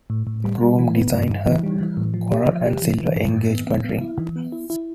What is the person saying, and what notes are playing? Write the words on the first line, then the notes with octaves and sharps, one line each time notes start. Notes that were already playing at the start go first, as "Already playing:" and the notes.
The groom designed her coral and silver engagement ring.
A2
A2
G3
G3
E3
B3
G2
G2
E3
G3
E3
A2
F3
G4
F3
G4
E3
E3
G2
G2
B3
B3
B3
E4
E3
B3
E4
E4